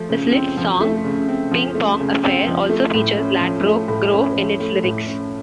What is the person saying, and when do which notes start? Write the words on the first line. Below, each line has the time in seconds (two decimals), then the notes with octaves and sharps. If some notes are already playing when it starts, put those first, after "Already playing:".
The Slits song "Ping Pong Affair" also features Ladbroke Grove in its lyrics.
Already playing: F3 A3
0.09 C#3
0.33 C4
0.57 F3
0.81 A3
1.04 C#3
1.29 C4
1.51 F3
1.75 A3
1.99 C#3
2.23 C4
2.47 F3
2.70 A3
2.94 A2
3.18 C#4
3.41 F3
3.66 A3
3.88 A2
4.12 C#4
4.37 F3
4.60 A3
4.84 A2
5.07 C#4